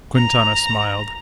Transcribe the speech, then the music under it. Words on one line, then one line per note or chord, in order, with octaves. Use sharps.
Quintana smiled.
A#5